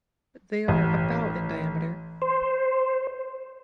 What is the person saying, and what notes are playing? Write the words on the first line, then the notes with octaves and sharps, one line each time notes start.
They are about in diameter.
A1
C5